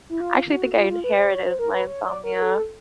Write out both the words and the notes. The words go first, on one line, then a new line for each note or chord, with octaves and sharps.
I actually think I inherited my insomnia.
E4
F4
F#4
F4
F4
B4
C5
C#5
C5
A#4
B4
C#5
D5
A#4
A#4
A4